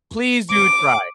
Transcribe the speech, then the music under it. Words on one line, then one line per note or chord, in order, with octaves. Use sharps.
Please do try.
D6